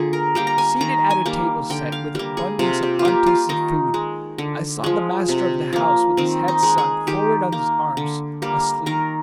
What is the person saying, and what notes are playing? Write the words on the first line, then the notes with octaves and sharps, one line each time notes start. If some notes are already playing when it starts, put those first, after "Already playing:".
Seated at a table set with abundance of untasted food, I saw the master of the house with his head sunk forward on his arms, asleep.
Already playing: D3 A#3 F4 G#4
A#4
G3 A#3 G5
A#5
G#5
D#3 A#5
G#5
G3 A#3
D3 G5
F5
G3 A#3
G#4
C3 F4
G4
F4
G3 A#3 G4
F4
D#3 D#4
G#3
D3
F3 G#3
C3
F3 A#3
D#3 C4
D#4
G#3
G#4
D#3 G4
A#3
D3
G3 A#3
D#3 A#4